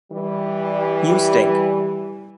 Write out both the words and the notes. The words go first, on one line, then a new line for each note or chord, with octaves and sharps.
You stink.
E3 G3